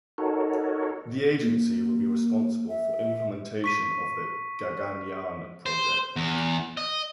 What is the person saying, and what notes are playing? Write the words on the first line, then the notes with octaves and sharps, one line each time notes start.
The agency will be responsible for implementation of the "Gaganyaan" project.
D#4 F#4 A4 A#4 C#5
A#3
E5
C#6 B6 D#7
C5
E2
D#5